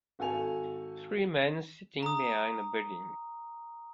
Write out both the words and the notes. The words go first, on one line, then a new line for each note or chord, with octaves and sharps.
Three men sitting behind a building.
G#1 F#4 A4 G#5 F7
A#5 D#6